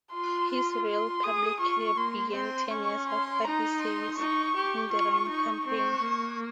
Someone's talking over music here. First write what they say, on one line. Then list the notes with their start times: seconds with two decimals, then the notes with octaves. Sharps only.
His real public career began ten years after his service in the Rhine campaign.
0.13 F4 C6
0.87 C6
1.23 G#4 D#6
1.60 F4 C#6
1.97 A#3 C6
2.34 C4 C6
2.71 C#4 C#6
3.09 C6
3.44 D#4 A#5
3.82 C6
4.19 D#4 C#6
4.55 G4
4.92 F4 C#6
5.29 D#4 C#6
5.66 C4 C#6
6.03 A#3